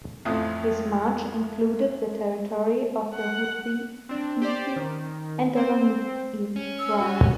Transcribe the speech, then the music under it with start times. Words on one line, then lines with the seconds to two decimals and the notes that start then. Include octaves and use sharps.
His march included the territory of the Chutizi and Dolomici tribes.
0.25 A1 F2 A2 F3 A3 D#6
3.15 F#5
4.09 C4 D4
4.42 G4 C5 D5
4.76 D#3
5.55 C4 C5
6.56 C#4
6.79 E6
7.00 F#4